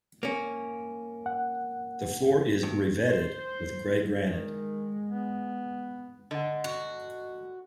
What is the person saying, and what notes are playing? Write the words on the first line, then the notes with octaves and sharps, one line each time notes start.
The floor is reveted with grey granite.
A#3 C#4
F#5
G2
C5
D#3 G#3
B3
D3 D#5 F#5
F#4